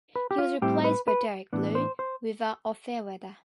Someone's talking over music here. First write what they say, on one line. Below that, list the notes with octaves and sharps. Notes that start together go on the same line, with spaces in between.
He was replaced by Derek "Blue" Weaver of Fair Weather.
B4
G4
F4
A2 G3 C4 E4 G4
B4
B4
A2 E3 B3 D4
C5
C5